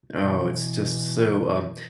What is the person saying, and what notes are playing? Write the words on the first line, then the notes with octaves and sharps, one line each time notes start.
Oh, it's just so, um
B2 E3